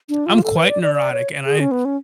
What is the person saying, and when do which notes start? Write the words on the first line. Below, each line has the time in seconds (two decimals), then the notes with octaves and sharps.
I'm quite neurotic, and I
0.09 D4
0.26 F4
0.44 A4
0.56 B4
0.70 D5
0.83 D5
0.95 D5
1.12 C#5
1.46 G#4
1.60 C#4
1.71 B3
1.85 C#4